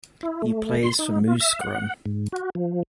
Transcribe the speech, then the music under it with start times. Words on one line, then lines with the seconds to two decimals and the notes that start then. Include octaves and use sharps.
He plays for Mouscron.
0.23 E4
0.42 A3
0.83 C6
0.99 D#4
1.27 F4
1.40 E5
1.61 F#5
2.06 G#2
2.32 F#4
2.55 F3